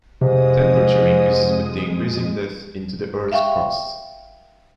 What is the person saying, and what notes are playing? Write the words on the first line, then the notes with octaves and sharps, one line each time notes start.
Temperature increases with increasing depth into the Earth's crust.
F2 G#2 C3 G#3 D#6
E5 F5 G5 C#6